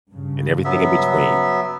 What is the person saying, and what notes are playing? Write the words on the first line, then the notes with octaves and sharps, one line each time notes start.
And everything in between.
G2 C#3
F#3 B3 E5